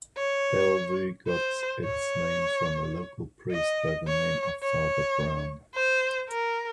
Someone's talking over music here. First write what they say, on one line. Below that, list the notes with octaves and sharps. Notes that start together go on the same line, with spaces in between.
Bellevue got its name from a local priest by the name of Father Browne.
C#5
C5
C#5
D#5
C#5
C#5
C5
A#4